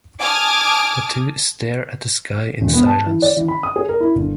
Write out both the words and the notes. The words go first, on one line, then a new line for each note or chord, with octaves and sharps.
The two stare at the sky in silence.
G#5 A5 D6 D#6 F6
E1
B3
A5
E3
D5
E3
B5
D#6
G#4
A#4
E4
G1